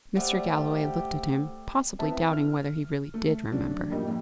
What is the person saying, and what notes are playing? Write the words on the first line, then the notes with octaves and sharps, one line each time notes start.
Mr. Galloway looked at him, possibly doubting whether he really did remember.
G3 A3 G4 C5 E5 F#5
B3 C4 E4 E5 A5
F6
A3
F#3 A3 C#4 D4
F2 A2 G3 A#3 D#4
A#1 F2 G#2